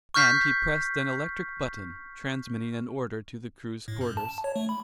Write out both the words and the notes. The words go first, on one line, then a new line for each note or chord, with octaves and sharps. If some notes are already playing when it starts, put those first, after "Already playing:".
And he pressed an electric button, transmitting an order to the crew's quarters.
C#6 F6 G6 B6 C7
A2
F#2
A5
C#5
A3
B5